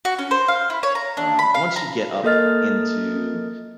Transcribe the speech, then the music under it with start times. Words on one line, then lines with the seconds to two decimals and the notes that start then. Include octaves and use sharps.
Um, once you get up into
0.05 F#4
0.19 C#4
0.31 C5
0.48 F5
0.70 E4
0.83 C#5
0.95 A#5
1.17 D4
1.39 B5
1.54 F5
1.76 A#5
2.24 A#3 A4 A#4 D#5 F6 A6